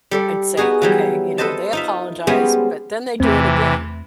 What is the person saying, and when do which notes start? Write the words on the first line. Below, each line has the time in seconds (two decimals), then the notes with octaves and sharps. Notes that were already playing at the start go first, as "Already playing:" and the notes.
I'd say, "Okay, you know, they apologized, but then they do it again,"
0.11 G3 A4 D5
0.57 B3 D#4 F#4 G#4
0.82 E3 F#3 G3
1.38 A4 B4 C5 D#5 A5
1.73 D#4 F4 E5
2.27 G3 G#3 B3 C#4 C5 C#5
3.20 E2 C3 E3 A3 C4